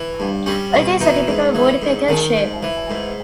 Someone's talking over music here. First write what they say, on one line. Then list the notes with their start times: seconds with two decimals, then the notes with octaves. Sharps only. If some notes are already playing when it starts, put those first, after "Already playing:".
It is a typical woodpecker shape.
Already playing: E3
0.20 G2
0.46 G3 C#4
0.73 B2
1.00 E3 D#4
1.27 G#2
1.55 E3
1.82 G#2
2.08 D#3
2.36 G#2
2.63 E3
2.90 G#2